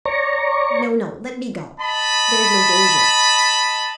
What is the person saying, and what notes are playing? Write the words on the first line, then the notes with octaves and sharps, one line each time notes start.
"No, no, let me go, there's no danger."
C#5 D5 A#5 C#6
D#5 A5 B5